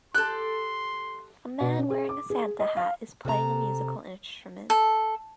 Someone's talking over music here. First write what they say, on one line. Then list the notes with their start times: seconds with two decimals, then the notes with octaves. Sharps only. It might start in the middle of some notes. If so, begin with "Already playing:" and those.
A man wearing a Santa hat is playing a musical instrument.
0.15 G4 A4 C6 F#6
1.60 B2
1.78 C#4
1.90 G#4
2.09 D6
2.30 G#4
2.60 D#5
2.77 F5
3.25 C3 A4 D#5 A#5
4.70 A4